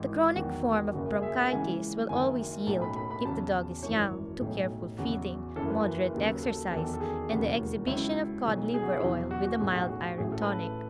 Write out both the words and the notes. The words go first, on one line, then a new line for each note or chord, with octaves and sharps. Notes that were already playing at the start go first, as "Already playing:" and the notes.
The chronic form of bronchitis will always yield, if the dog is young, to careful feeding, moderate exercise, and the exhibition of cod-liver oil with a mild iron tonic.
Already playing: G#1 G#2 E3
E2 D#3 F#3 F#4
F#1 F#2 C#3 F#4
G#4
E5
F#5
C#2 C#3 E3 G#5
F#1 F#2 D#3 G#5
B1 A2 F#3 A5
B5
B5
B5
E2 C#3 F#3 A5
G#1 F#2 E3 C#5
B1 A2 F#3
E2 C#3 F#3 F#4
F#1 F#2 C#3 E3 A4
B4
D#2 C#3 F#3
A4
E2 D#3 F#3 A4
A4
G#4
E1 D#2 C#3 E3 F#4
C#2 C#3 F#3 E4
B1 B2 F#3
G#4
F#4
E4
E2 B2 F#3
F#4
F#4
B1 A2 F#3 G#4
F#4
F#4
A1 A2 E3 G#4
A4
B4
A4